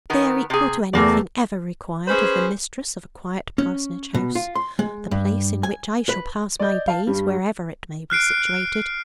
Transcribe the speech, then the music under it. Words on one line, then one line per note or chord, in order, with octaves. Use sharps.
They are equal to anything ever required of the mistress of a quiet parsonage-house--the place in which I shall pass my days, wherever it may be situated.
D#3 B3 A#4
C3 G#4
E2 C3 A3 A#3 D5
C#4 G#4 B4 C5
C#4
B2
F4
C6
G#3
G2
G#5
B4
D5 D#5 G6
F5 A5
G2 G3
F6 F#6 C7 D7